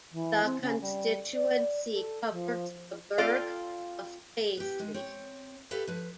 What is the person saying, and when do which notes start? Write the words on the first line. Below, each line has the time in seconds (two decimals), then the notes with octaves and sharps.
The constituency covered the burgh of Paisley.
0.12 E3
0.44 C4
0.61 C#3
0.81 G3
1.34 D5
1.93 A4
2.31 F3
3.18 C4 F4 A4 D5 F5
4.57 B3 G4
4.79 G#3
4.94 C4 C#5
5.71 G4 A4 B4 F5
5.87 F3 B4